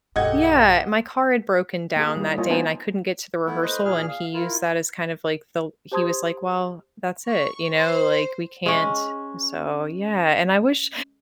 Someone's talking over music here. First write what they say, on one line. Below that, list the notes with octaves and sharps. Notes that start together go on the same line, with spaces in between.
Yeah, my car had broken down that day and I couldn't get to the rehearsal, and he used that as kind of like the l he was like, "Well, that's it," you know, like, we can't So, yeah, and I wish
B1 G2 G#3 G4 A4 D#5 F#5 G#6
A#3 G#4
G3 E4
A#3 F4 C#5 D#5
B3 D#4 C5 G#5 A5
A3 B3 E4
A3 B4 C5 D#5
A#2 G#4 F6
F5
E4 F4 A#4
G4 C5 A5 C6 D#6 G#6
C#6
C5
G#3 C#4